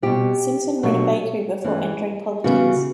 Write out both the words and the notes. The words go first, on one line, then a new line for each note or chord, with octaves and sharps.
Simpson ran a bakery before entering politics.
B2 G3 C4 G4
B2 F#3 A3 D4
G2 E3 A3 C#4
C#3 E3 G3 B3 F#4